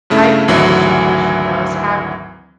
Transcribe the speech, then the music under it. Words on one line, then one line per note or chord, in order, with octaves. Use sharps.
I could understand why she does have
G2 C#3 A3 E4
G#1 D2 E3 F#3